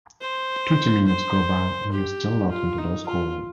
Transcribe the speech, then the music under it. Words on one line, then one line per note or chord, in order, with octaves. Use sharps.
Twenty minutes go by and you're still locked into those two chords...
C5
C5
G4
F4
D#4
F4